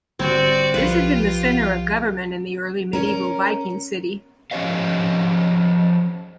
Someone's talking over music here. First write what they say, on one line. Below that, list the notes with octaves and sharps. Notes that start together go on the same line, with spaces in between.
This had been the centre of government in the early medieval Viking city.
G#1 D3 G3 C4 F#4 D5
B1 F3 F4 G4 B4
C#4 A#4
F3 C#4 G4 C#5 D#5 F5